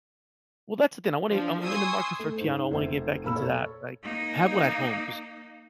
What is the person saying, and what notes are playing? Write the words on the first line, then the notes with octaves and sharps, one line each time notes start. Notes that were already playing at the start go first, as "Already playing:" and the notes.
Well, that's the thing, I want it I'm in the market for a piano. I want to get back into that, like, I have one at home 'cause
F3 D4
G#5 C6 C#6 D#6 E6
A3
G#2 C5
F1 C5 E5
A#2 A#4 B5 E6
A4 C#5
A#3 D#4